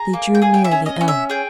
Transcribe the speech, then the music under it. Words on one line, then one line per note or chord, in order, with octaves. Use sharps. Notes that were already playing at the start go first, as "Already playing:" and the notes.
They drew near the elm.
Already playing: G#4 A#5
A#3
G5
G#4 G#5
G5
E5
C#4
D#5
C#4
E5
G#4 G5